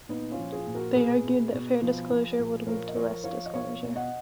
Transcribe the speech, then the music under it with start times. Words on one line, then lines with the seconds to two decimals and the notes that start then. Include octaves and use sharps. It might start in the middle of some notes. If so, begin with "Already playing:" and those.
They argued that fair disclosure would lead to less disclosure.
0.09 A#2 B3 D#4
0.31 C#4 F4
0.38 F3
0.52 F4 G#4
0.67 A#2
0.75 F#4 A#4
0.95 B2 G#4 B4
1.24 B2
1.53 B2
1.82 F3
2.10 F3
2.39 A#2
2.67 F3 A#4 C#5
2.88 D#5
2.95 F3 A#4 C#5
3.24 F3 C#5 F5
3.46 D#5
3.53 B2 C#5 F5
3.82 B2
3.96 D#5 F#5